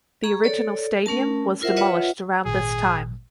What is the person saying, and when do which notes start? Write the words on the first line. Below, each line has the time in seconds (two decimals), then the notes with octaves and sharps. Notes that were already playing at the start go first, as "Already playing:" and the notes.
The original stadium was demolished around this time.
0.24 G#4 A#5 C#6
0.44 A4 C#5 D5
1.06 A3 C#4 A#4 A5
1.61 E4 F4 A#4 C5 E5 F#5
1.76 F4 B4 C#5 D#5 E5 F#5
2.45 G#1 A#2 G#4